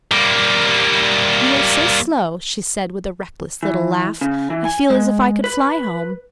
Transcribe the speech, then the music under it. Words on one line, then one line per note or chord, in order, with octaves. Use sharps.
"You are so slow," she said with a reckless little laugh; "I feel as if I could fly home."
G3 A#3
E3
C#3
E3
G#5
G#3
B4